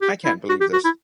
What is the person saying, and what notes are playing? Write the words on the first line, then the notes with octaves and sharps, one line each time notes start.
I can't believe this.
G4
E4
F#4
G4
F#4
E4